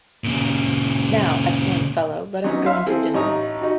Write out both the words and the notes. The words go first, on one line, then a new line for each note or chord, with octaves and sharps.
Now, excellent fellow, let us go in to dinner!
A#2 C#3
F#3 B3 C#4 D#4
E5 F5 C6
C4 E4 G#4 A4
A1 D#4 C#5 A#5 D#6
D#4 F#4